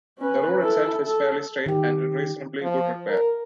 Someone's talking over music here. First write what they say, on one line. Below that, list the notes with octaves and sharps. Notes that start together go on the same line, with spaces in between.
The road itself is fairly straight and in reasonably good repair.
C#4 B4
E4 A4
A4
D#3 G4
F3
A#4